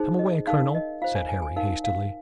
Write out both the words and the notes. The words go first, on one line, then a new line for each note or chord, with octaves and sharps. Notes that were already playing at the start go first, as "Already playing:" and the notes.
"Come away, colonel!" said Harry hastily.
Already playing: D#4 G#4 C5
D#5
D#4 A#4 F5
D#5
F4 C5 F5
G#5
G#5
G#5
D#4 A#4 F5
F5